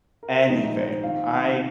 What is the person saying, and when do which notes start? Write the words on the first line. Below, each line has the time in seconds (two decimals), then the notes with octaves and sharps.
anything. I
0.23 A#4
0.36 C5
0.49 A#1 G#2 D#3 D#4 D#5
0.63 D#4 D#5
0.77 C5
0.90 C5
1.03 D#3 F4 F5